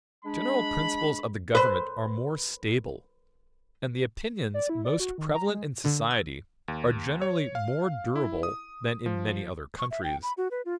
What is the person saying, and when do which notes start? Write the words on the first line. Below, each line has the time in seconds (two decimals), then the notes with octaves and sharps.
But the general principles of the Government are more stable, and the opinions most prevalent in society are generally more durable than in many other countries.
0.25 G#3 D4 B5
1.55 B4 C5
4.54 D5
4.69 E4
4.85 D5
5.00 F#4
5.18 D#3
5.35 A#5
5.49 G#3
5.85 D3
6.11 E6
6.68 D#2
7.22 C#5
7.55 F5
8.16 E4
8.43 D#6
9.06 F3
9.79 C#6
9.91 E5
10.04 G5
10.23 B5
10.38 F#4
10.51 B4
10.65 F4